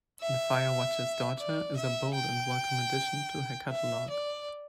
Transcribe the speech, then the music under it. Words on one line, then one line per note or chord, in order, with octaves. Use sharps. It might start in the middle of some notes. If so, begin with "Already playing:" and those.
The Firewatcher's Daughter is a bold and welcome addition to her catalogue.
E5
D5
E5
G5
E5
D5